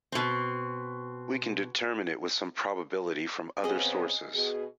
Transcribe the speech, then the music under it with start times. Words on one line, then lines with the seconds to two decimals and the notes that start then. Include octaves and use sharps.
We can determine it with some probability from other sources.
0.12 B2 C4
3.64 C#3 B3 C4 G#4 D#5
4.33 B2 G#4